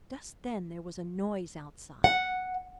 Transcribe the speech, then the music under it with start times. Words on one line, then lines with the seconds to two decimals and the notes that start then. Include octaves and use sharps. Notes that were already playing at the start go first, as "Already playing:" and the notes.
Just then there was a noise outside.
2.04 F#5